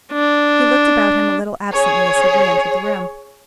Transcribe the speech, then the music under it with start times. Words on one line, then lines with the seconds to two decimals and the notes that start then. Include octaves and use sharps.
He looked about him a little absently as he re-entered the room.
0.12 D4
1.72 G#4 C#5